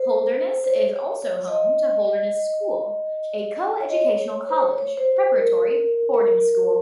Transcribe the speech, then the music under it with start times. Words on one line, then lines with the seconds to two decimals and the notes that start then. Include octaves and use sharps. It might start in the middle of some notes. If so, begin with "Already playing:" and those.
Holderness is also home to Holderness School, a co-educational college-preparatory boarding school.
Already playing: C5
0.64 C5
0.70 C#5
0.96 C#5
1.22 C#5
1.47 D#5
3.80 C#5
3.89 D#5
3.97 C#5
4.49 C5
4.58 C#5
4.78 C#5
4.97 C5
5.17 C5
5.36 A#4
6.14 A#4